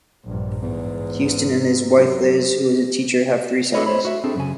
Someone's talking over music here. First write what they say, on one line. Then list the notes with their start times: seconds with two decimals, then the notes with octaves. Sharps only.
Houston and his wife Liz, who is a teacher, have three sons.
0.25 A#1 G2
0.62 E2 G#2
1.98 F#2
3.73 D4 F#4 A4 B4 C#5 D#5
3.86 C5 C#5 B5
4.05 F#4 E5
4.24 C4 D4 G#4 A4
4.36 F#2 C#3 G#5